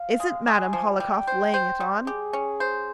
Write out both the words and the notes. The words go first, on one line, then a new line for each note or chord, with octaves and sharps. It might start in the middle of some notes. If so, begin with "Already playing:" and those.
"Isn't Madame Hohlakov laying it on?"
Already playing: F5
G#3
G#3 G#5
F3
G3 G5
C5
C5
G3
G4 G#4
C#4
C5